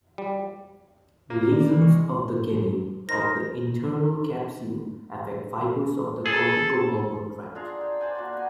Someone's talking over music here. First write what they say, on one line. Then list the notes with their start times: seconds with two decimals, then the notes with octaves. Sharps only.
Lesions of the genu of the internal capsule affect fibers of the corticobulbar tract.
0.18 G3
1.30 A#3
1.52 D5
1.82 C3 G#3 C#6
3.09 D#4 A#4 C5 A#6
6.26 G#4 A4
7.55 D4 F4 G#4 A#5
7.81 G5
8.00 C5 D5 G5 G#5
8.15 A#3 F#4 D5
8.33 B3 G#5